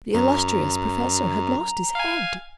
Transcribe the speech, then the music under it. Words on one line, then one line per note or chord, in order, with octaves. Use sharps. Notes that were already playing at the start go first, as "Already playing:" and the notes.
The illustrious professor had lost his head.
F#2 A#5
F5 G#5